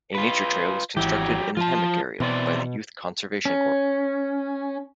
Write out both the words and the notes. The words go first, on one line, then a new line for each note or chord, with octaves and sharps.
A nature trail was constructed in the hammock area by the Youth Conservation Corps.
F4 B4
G#1 E3 F#3 G4
F3 F4 A5
B2 E3 C4 D5
C#4